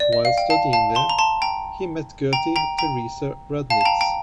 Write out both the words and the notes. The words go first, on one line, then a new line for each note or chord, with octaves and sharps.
While studying there he met Gerty Theresa Radnitz.
D5
D#5
F5
G5
F5 A5
F5 A5
A5 C6
A#5
A5 C6
G5 A#5
G5 A#5
G5 A#5
G5 A#5
F5 A5
A5
G5 A#5
G5 A#5